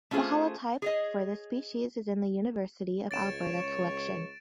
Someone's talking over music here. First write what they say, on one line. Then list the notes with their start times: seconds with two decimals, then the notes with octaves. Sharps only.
The holotype for this species is in the University of Alberta collection.
0.11 A3 C#4 F4 G#4 C5
0.82 G#4 C#5 D#5
3.11 C#2 C#5 A6 D7 E7